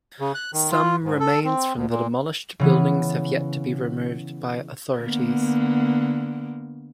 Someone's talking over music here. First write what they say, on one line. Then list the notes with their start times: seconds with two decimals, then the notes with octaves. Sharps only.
Some remains from the demolished buildings have yet to be removed by authorities.
0.20 C#3
0.35 F#6
0.54 D#3
0.71 F4
1.04 G#2
1.20 A4
1.45 C4
1.75 D2
1.89 A#2
2.59 C#3 E3 B3
4.99 D3 A#3 B3